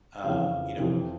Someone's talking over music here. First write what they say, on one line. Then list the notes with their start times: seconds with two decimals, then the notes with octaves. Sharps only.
Um, you know,
0.24 F2 C#3 E3 F5
0.77 F2 C3 E3